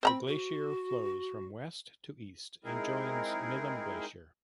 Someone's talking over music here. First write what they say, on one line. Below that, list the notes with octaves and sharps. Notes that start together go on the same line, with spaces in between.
The glacier flows from west to east and joins Milam Glacier.
C4 C5 A#5 B5
F#4
G#3 C4 D#4 E4 G#4 A#4